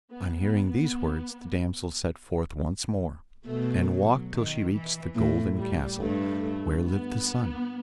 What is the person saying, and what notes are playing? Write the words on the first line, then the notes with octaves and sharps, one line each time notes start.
On hearing these words the damsel set forth once more, and walked till she reached the Golden Castle, where lived the Sun.
B3
B3
B3
B2 A3
F#3
D#3
E3
A2
G3
G2 A3
A3
B3